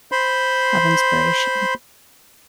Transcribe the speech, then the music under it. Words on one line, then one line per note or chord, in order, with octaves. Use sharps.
of inspiration.
C5 B5 C6